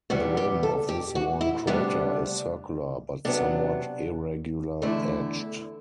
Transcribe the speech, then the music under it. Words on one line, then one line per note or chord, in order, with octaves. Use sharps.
The rim of this worn crater is circular but somewhat irregular-edged.
E2 C3 G3 B3 F#4
G4
A4
G4
F#4
E4
D2 C3 G3 B3 D4
C3 F#3 B3 D4
E2 D3 A3 E4